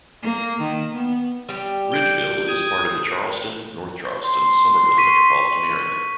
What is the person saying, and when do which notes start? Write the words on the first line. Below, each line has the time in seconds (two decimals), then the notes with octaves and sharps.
Ridgeville is part of the Charleston-North Charleston-Summerville metropolitan area.
0.22 A#3
0.61 D#3
0.94 B3
1.49 G3 G4
1.92 G6 D7 G7
2.47 D#6 G#6
4.25 C6
4.97 C#6 B6 D#7